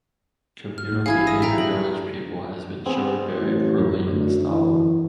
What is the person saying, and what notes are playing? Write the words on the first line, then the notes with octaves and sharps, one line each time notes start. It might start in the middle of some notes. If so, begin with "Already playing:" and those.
Communal behavior village people has been shown very cruelly in this novel.
F6
A2
A1 E4 G#4 F5 G#6
D#6 A#6 D#7
A4 E5 G5 A#5
F#3 C#4 F#7
B3 C4 G#4
A1
F#2
D2
E3